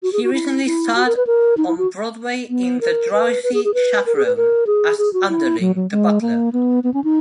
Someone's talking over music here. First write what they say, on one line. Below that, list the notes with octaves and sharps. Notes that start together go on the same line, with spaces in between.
He recently starred on Broadway in "The Drowsy Chaperone" as Underling, the butler.
F#4
G#4
F#4
E4
E4
F#4
A#4
B4
A#4
D#4
E4
F#4
B3
A#4
B4
B4
G#4
G#4
B4
A#4
G#4
B4
A#4
G#4
G#4
F#4
E4
F#3
F#3
G#3
A#3
B3
B3
C#4
D#4